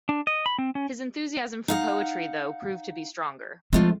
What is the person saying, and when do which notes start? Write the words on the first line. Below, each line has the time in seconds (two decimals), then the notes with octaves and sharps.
His enthusiasm for poetry, though, proved to be stronger.
0.09 D4
0.27 D#5
0.46 B5
0.58 C4
0.75 C#4
1.68 D#4 F5 F#5
3.73 F3 G#3 A3 C4 F4